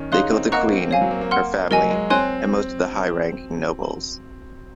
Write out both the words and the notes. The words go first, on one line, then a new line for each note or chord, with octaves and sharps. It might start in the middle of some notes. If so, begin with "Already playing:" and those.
They killed the queen, her family, and most of the high-ranking nobles.
Already playing: D#3 C#4
D#4 G#4 C#5 F5 C6 F#6
C4
A#3 D#5 F#5 A#5 C#6 F#6
C4
C#5 F5 G#5
F#3
A#3
A#3
F#5 C6 F6
F#3 A#4 D#5 G#5
G#3
C4 C#5 G#5 C6 F#6